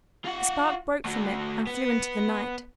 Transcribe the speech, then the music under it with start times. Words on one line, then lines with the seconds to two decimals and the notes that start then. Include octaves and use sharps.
A spark broke from it and flew into the night.
0.25 F4 F#5
1.05 A3 F#4
1.67 B3